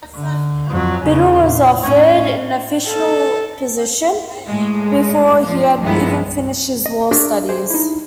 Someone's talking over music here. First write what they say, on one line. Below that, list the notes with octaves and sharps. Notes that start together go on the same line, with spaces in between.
Biddle was offered an official position before he had even finished his law studies.
D3
F2 F#3
E2 C#3
A#2
A2 C#4
A4
A2 G#3
F3
G2 D#3 F3 G#3 B3 E4
D#5
D4 F#4 G#4 A#4 D5 E5
G4 G#4 C5
D#4 E4